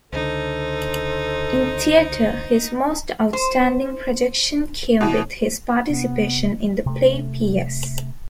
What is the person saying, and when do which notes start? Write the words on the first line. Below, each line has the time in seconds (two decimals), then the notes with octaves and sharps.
In theater his most outstanding projection came with his participation in the play ps.
0.13 C#2 D3 D#4 A4 C5
3.33 C5
5.01 B2 E3
5.90 C3 B3
6.86 C3 A3